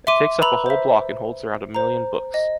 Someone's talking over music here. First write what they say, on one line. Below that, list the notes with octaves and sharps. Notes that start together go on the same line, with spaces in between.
It takes up a whole block and holds around a million books.
E5 C6 D6 D#7
B4 A#5 B5 E6 F7 F#7
C5 E5
C5 A#5
D#5